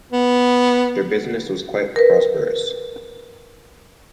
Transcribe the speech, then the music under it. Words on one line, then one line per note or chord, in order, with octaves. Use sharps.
Their business was quite prosperous.
B3
A#4 B4